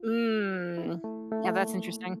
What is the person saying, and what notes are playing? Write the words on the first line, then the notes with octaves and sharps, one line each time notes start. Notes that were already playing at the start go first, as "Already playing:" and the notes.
Mm. Yeah, that's interesting.
Already playing: F4
E4
A3
A3
A3
A#3